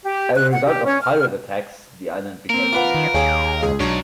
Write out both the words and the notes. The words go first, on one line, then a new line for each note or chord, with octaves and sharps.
As a result of pirate attacks, the island became uninhabited.
G4
F#6
F#5
G4
C#4
F6
A#3 C4 A#4
F4 B4 F#5 D6
D#3
D#2 G#4 C#5 F5 G5 G#5 D6
C#2 G#4
B1 G#2 D4 C#5 A#5